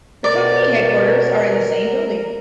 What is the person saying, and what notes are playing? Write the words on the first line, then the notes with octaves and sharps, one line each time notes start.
The company headquarters are in the same building.
B2 A#4 D5